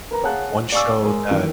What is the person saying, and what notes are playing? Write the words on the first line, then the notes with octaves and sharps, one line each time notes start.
one show that
A#4 B4 A#5
G#4 C#5 F5 F#5 A5 F#6
D5 F5 G#5 C#6 D6 E6
G#3 G#4 A#4
D#3 E3 A#3